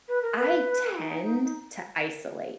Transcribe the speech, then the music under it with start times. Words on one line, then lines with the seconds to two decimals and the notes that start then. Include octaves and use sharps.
I tend to isolate
0.08 B4
0.22 A#4
0.38 B4
0.96 D#4